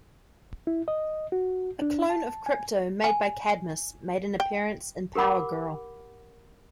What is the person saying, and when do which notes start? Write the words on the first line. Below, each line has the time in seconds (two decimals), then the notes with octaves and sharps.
A clone of Krypto made by Cadmus made an appearance in "Power Girl".
0.67 E4
0.88 D#5
1.32 F#4
1.82 D4
2.10 A5
2.46 G#5
3.04 G#5
4.40 G5
5.15 G4 A#4 F#5 B5 D6